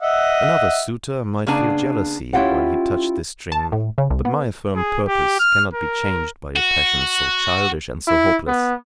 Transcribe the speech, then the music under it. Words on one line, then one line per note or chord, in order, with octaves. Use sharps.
Another suitor might feel jealousy while he touched this string; but my firm purpose cannot be changed by a passion so childish and so hopeless.
D#5 E5 F#5
C#3 A#3 B3 D4 G#5
C#4 E4 F4 G4 F5 F#5
A5
A2
C#3
C2
B3
G#4
G4
F6
A#4
F#4
E4
B3